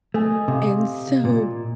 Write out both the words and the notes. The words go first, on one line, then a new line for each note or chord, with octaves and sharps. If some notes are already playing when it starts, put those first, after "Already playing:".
And so
A3 D#5 G#5
C3 F5
A#2